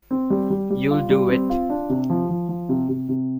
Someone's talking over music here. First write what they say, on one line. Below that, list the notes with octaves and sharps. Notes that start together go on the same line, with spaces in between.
You'll do it?
C4
G3
G3
G3
F4
G3
C4
F4
D4
C3
F3
F3
F3
C3
C3
C3